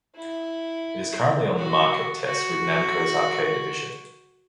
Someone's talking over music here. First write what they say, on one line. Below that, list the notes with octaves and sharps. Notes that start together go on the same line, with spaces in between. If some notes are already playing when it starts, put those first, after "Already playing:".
It is currently on market test with Namco's arcade division.
E4
F#4
F#4